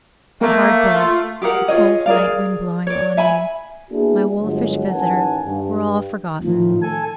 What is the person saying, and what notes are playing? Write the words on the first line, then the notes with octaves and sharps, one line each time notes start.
The hard bed, the cold night wind blowing on me, my wolfish visitor, were all forgotten.
A3 A#3
F4
G4 G#4 A#4 F#5
F4 G#4 C#5 D#5
G#4 A#4 D5 F5
C#5 D5
E5 G#5 B5
A#3 B3 D4 E4 F#4 G#4
G1 F#3 G#3
A1 D#3 F#5 G#5 A5
G2
A2 D#3 F3
A4 G#5